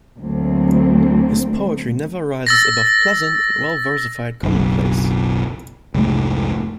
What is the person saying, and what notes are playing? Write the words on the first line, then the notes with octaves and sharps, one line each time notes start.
His poetry never rises above pleasant and well-versified commonplace.
D2 F#3 A#3 C4
E6 A6 A#6
F#1 B1
F1 C2 G#2 A3